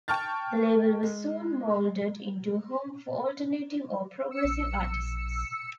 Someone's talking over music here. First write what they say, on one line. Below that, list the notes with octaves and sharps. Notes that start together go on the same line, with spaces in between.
The label was soon moulded into a home for 'alternative' or 'progressive' artists.
G5 A5 C#6 F6 A6
G#3
E6 C#7
A#1